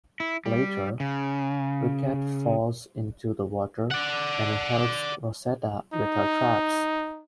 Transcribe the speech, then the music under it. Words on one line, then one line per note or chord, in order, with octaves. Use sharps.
Later, Riquet falls into the water when he helps Rosetta with her traps.
E4
G3
C#3
D5 F#5
D#4